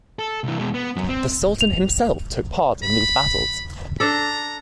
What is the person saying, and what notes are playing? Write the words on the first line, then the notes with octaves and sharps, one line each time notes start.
The Sultan himself took part in these battles.
A4
C2 E3
B2 G#3
B3
F#2 F#3
C4
F7
B5
D4 A4 A#5